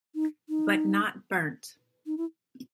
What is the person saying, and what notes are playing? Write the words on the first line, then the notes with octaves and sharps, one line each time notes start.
But not Bernt.
D#4
D#4
D#4
E4